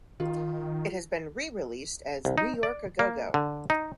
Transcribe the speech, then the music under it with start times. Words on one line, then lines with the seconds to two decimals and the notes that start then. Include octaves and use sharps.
It has been re-released as "New York A Go Go,".
0.20 D#3 F4
2.25 C2
2.38 D#4
2.63 D5
2.99 A#3
3.34 D3
3.70 D#4